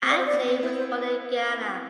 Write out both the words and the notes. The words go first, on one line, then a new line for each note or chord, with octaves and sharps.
Adjei was born in Ghana.
C4
D5
C5
D5
B3
C4
E4 C5
C5